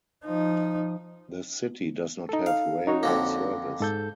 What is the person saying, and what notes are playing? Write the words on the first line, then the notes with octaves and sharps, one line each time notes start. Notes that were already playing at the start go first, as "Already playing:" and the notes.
The city does not have railroad service.
F3 D#4
D#4 A4
F5
D#4 F#4 C#5
F2 D3 A#3
G#2 A4 G6